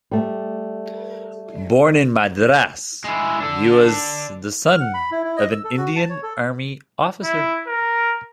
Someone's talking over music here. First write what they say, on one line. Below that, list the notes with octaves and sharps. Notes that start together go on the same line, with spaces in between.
Born in Madras, he was the son of an Indian army officer.
G3 A3
G#3 E4
D4 A4
F6
F#5
B5
E4
E4
D#5
E6
A4
F#4
A5
C#5
A4
E4
A#4